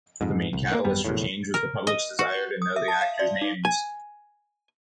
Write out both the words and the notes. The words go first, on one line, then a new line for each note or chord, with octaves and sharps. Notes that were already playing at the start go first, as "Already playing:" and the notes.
The main catalyst for change was the public's desire to know the actors' names.
F2 G#2
C2
D#3 A#3
G#1 F#2 G3 B3
F1 A#1 E2 A2
A#4
D#5
F#4
D#6
E5
A5
F5
D5
D#4
G#5